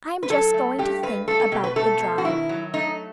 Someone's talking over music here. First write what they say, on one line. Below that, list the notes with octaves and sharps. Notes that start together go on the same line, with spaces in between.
I'm just going to think about the drive.
B4
F#3 A4
A3
G2 G4
G2 B4
A3 A4
A4
B2 G4
B4
A3 A4
B2
F#4
D#3 E4
F#3
A3 D#4